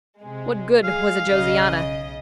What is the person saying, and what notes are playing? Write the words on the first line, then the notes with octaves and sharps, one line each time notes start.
What good was a Josiana?
C3 G#3
G#3 G#4 F5
B1 C#3 D#5